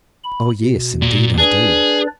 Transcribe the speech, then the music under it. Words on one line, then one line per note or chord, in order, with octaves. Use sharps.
"Oh, yes, indeed I do!"
B5
B2
A#2
D4 G#4 B4 D5